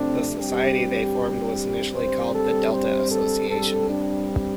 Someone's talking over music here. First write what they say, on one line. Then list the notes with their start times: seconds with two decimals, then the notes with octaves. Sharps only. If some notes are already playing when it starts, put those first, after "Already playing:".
The society they formed was initially called "The Delta Association".
Already playing: F2 C3 A3 C4 D4
0.39 G2 G3 C4 G4
1.94 G2 G3 C4 C5
2.34 A4
2.73 C5
3.11 A4
3.50 G2 G3 C4 A4
3.89 D4